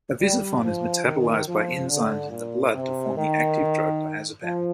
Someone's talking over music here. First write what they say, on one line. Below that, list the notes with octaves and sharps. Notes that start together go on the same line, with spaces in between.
Avizafone is metabolised by enzymes in the blood to form the active drug diazepam.
G3
F3
D#3
F3
D3
A#2
C3
D#3
F3